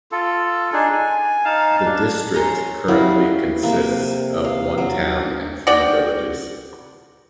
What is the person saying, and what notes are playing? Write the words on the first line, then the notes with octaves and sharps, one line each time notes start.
The district currently consists of one town and three villages.
F4 A4
D4 D#4 G#4
G#5
D#4 F5 A5
D4
C#5 G#5 A#5 C6
G3 E4 F#4 F5
C3 A#3
F5
F#3
F#4 D5 G5